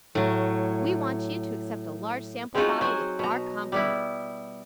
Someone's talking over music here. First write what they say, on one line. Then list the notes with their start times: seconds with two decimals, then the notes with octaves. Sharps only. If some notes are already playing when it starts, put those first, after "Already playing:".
We want you to accept a large sample bottle with our compliments.
0.15 A2 F#3
2.55 G#3 C4 C#4 D#4 F4 F#4
2.81 F#3 C5 F#5 G#5
3.19 B2 A#5
3.72 G3 B3 E4